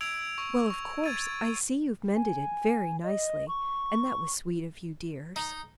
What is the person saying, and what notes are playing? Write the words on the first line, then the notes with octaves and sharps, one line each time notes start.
'Well, of course, I see you've mended it very nicely, and that was sweet of you, dears.'
E6 G#6 D7 F7
C#6
C#6
G#6 A6 D#7
G#5
D#5
C#6
D#4